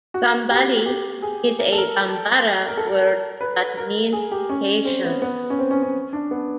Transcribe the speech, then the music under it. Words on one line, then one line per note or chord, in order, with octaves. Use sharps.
"Sabali" is a Bambara word that means patience.
F#4
G4
G4
G#4
A#4
A4
A#4
A#4
A4
A#4
A#4
B4
A#4
G#4
G4
C#4
C4
B3
B3
C#4
C4
C#4
C#4
D4
B3